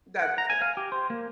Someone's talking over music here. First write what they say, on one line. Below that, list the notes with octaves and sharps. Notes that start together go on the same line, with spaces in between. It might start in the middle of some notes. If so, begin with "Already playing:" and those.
That's true.
F#5
A#5
G#5
F5
G4
C5
A#3